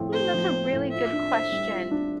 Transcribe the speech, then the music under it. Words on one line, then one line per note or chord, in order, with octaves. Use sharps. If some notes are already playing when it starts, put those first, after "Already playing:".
Hmm, that's a really good question.
Already playing: A2 F3 C4
A3 C5
F3
C4
A2
F4 E5
D4
C5
G3
F4
D4